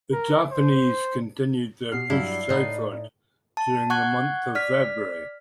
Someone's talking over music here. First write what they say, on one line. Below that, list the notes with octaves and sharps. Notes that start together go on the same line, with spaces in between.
The Japanese continued their push southward during the month of February.
A#4
C5
B2 G4 F6 C7
G2 F#3 G3 E4 D5
A2 D#4 C5 F#5 B5
A5
F#5 C#6 F#6 G#6
D5 F6 B6